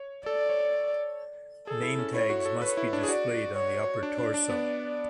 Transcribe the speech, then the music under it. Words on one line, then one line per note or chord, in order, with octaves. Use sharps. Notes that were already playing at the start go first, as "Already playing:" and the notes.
Name tags must be displayed on the upper torso.
Already playing: C#5
A4 D5
C#5
G#4 A4
E4
C#4
E4 C#5
F#4
A4
B4 C#5
E4
D4
G#4
F#4 D5
C#5
D4 D5
D4
D4
B3